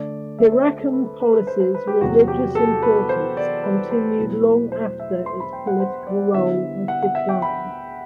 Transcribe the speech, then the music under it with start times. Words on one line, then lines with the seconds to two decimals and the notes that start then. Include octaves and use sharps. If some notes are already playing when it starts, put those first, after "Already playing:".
Hierakonpolis’s religious importance continued long after its political role had declined.
Already playing: D3 A3 D4 D5
0.39 E5
0.52 C5
0.66 A4
0.80 A4
0.93 B4
1.06 B4
1.20 B4
1.34 B4
1.47 C5
1.60 C5
1.74 B4
1.87 G4
2.01 E2 C3 F#3 F#4
2.28 G4
2.55 A4
2.83 B4
3.09 C5
3.37 D5
3.64 B4
3.91 B4
4.18 B2 F#3 A3 E4
4.72 C5
5.00 E5
5.26 C6
5.40 B5
5.53 G5
5.67 F#5
5.80 C5
6.07 D5
6.34 D3 G3 B3 E4 E5
6.88 F#5
7.03 F#5
7.15 E5
7.29 G5
7.42 B5